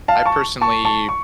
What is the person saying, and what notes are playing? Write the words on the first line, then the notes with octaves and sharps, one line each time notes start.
I personally
F5 A5
A5 C#6
A5 C#6
A5 C#6
C#6